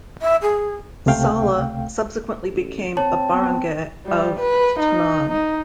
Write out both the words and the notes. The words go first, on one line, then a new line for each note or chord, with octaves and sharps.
Sala subsequently became a barangay of Tanauan.
E5
G#4
C#2 C3 A3 F5 G5
A1
C4 C#5 A5
B3
G3
B4
D#4
D#4